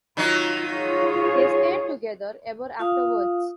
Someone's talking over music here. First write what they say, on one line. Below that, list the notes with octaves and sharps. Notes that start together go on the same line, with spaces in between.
They stayed together ever afterwards.
D#3 F#3 D#4 F4
F4 G#4 C#5
F4 F5 D#6